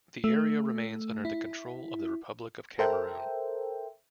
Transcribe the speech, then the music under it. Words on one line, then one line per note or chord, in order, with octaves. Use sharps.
The area remains under the control of the Republic of Cameroon.
A3
E4
A4 A#4 C5 E5 G5